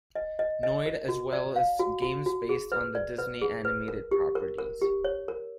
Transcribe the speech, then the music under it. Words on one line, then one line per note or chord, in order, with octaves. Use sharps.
Noid as well as games based on the Disney animated properties.
D#5
D#5
D#5
A#4
F#4
D5
F5
F#4
F#4
F#4
G#4
B4
D5
B4
G#4
B4
A#4
G4
A#4
A#4
G4
C#5
A#4